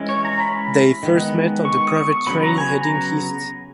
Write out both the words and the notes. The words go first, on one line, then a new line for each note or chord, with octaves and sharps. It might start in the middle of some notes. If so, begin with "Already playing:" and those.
They first met on their private train heading east.
Already playing: E3 G#3 C#4
C#5
A#5
B5
D#3 G#3 B3
C#6
D#6
C#6
C#3 F#3 B3 B5
A#5
G#5
A#5